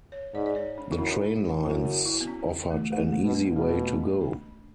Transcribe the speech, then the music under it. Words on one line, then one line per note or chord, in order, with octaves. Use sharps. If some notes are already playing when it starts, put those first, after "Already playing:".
The train lines offered an easy way to go.
C#5
G#2 D5
D5
C#5
D4
E4
F#2 D4
F#2 E4
F#4
E4
B3
C#4
A3
G#2 A3
A3
B2
B3
B2 G#3
B3
A3
C#4
D4